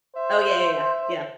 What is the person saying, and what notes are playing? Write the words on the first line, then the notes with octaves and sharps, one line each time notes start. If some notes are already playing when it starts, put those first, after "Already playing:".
Oh, yeah, yeah, yeah. Yeah.
C5 E5